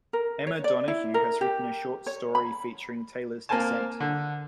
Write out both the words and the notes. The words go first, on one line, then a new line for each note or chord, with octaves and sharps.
Emma Donoghue has written a short story featuring Taylor's descent.
A#4
C#5
D5
E4
A#4
G4
C#5
B5
A#3 C4 A#4 C5 G#5 A5
D3